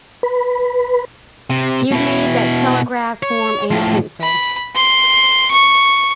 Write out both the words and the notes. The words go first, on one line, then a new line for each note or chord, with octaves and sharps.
Give me that telegraph form and pencil.
B4
C3
B2 E4
C#5
A2 F3
B5
C6
C#6